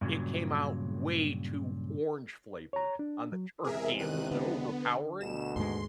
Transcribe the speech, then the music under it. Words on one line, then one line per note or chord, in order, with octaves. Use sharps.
it came out way too orange-flavored on the turkey. It was overpowering.
G2 A#2 C#3 F#3
C#5 A#5
D4
F#3
E2 C3 G#3 G#4 A#4 E5
D#3 F#6 D#7
D3 B3
D2 B2 E7
D#2 G#2 G#3 C6